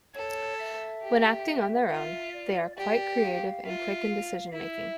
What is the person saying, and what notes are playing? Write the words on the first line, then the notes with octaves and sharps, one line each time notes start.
When acting on their own, they are quite creative and quick in decision making.
A4 C#5
E5
G4
F4 E5
D5
G4 D5
F5
F4 E5
F5
E4 E5